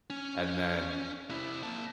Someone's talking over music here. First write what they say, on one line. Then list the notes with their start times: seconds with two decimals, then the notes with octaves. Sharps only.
and then
0.10 C#4
1.30 C3 E4
1.63 A#3 A5